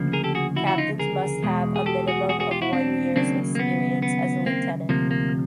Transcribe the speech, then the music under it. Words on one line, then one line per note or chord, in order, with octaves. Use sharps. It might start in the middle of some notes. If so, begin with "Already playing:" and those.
Captains must have a minimum of one year's experience as a lieutenant.
Already playing: D2 C#3 F3 A#3
G#4 A#4
G4 A4
F#4 G#4
E4 F#4
E4 F#4
D#4 F4
G#4 A#4
E2 B2 G#3
G#4
G4 A4
F#4 G#4
F#4 G#4
F#4 G#4
F4 G4
E4 F#4
C4 D4
D#2 C#3 F#3 A#3 C4 D4
A#3
B3
B3
A#3 C4
D2 C3 F3 A#3
A#3